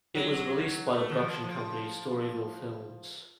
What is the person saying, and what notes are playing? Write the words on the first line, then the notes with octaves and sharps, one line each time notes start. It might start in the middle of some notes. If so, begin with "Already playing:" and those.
It was released by the production company, Storyville Films.
F#3
A3
D#3
F3
F3